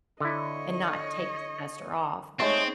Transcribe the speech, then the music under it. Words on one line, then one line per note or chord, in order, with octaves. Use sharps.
and not take a semester off."
D3 E4 C#5 D#5
G#3 A3 C4 D#4 G#4 C#5